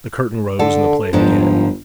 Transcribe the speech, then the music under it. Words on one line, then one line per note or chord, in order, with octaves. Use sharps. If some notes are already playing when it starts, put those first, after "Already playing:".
The curtain rose and the play began.
D3 A4
G1 G#2 F3 D4